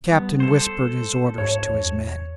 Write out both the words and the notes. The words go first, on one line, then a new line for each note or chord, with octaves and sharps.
The captain whispered his orders to his men.
G3 B3
A4 C5
G#2 C#5
E2